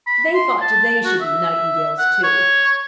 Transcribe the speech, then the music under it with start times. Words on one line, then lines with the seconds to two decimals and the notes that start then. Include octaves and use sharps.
They thought they should be nightingales too.
0.07 B5
0.34 C6
0.61 A5
1.05 F#4
1.21 E5
1.98 F#5
2.23 C#5